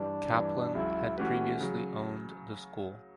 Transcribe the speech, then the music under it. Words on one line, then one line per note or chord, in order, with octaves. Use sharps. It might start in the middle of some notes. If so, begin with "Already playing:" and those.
Kaplan had previously owned the school.
Already playing: G2 E3 G3 D4
G2 E3 G3
C#2 C#3 F#3 E4
E3 A3 C#4 F#4 G4 B4
C#3 F#3